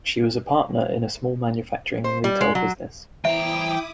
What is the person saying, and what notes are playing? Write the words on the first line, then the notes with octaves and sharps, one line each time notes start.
She was a partner in a small manufacturing and retail business.
C5
G3
G#3
F#3
E3 E4 C5 E5 G5 A#5 D6 D#6